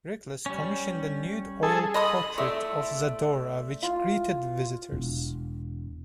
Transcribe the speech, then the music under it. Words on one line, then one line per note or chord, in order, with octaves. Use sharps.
Riklis commissioned a nude oil portrait of Zadora, which greeted visitors.
G3 C#4
G#4 A4
D#5 B5 C6 D#6
A3 D5 E5 E6
F4
E1